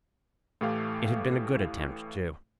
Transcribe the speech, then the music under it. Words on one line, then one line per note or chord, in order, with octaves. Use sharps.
It had been a good attempt, too.
A2 E3 A3 G4 F5 D6